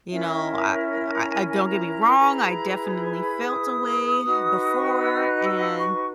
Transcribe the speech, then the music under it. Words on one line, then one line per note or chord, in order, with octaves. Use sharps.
you know, I, uh, I I don't get me wrong, I definitely felt a way before and,
C#4 E4 A#4 E5
A#5
G#5
G#5
A#5
E4 G#4 B4
B5
D#6
D#4 F#4 B4
C#6
D#6
E6
E6
F#6
E6
E6
C#6